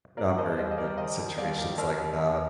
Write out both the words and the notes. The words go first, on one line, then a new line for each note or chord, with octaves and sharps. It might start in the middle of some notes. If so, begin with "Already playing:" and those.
not very good at situations like that
A#3 A#4 D5
D#2 C5 D#5
G3 C5 D#5
D#5
G3 A#4 D5
D#3 C5 D#5
D#2
G3 D5 F5
D#3
D#2 A#4 D5
D#2
D#2